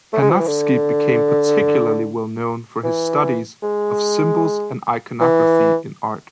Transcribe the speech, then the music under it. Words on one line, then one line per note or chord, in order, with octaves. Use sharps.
Panofsky became particularly well known for his studies of symbols and iconography in art.
A3
G#3
F3
E3
D3
E3
G#3
E3